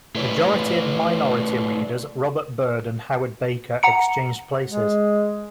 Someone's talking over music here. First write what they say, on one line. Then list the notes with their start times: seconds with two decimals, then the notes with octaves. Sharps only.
Majority and minority leaders Robert Byrd and Howard Baker exchanged places.
0.15 A3 E4 B4 C#5 D5
3.83 F#5 A#5 C#7
4.68 G#3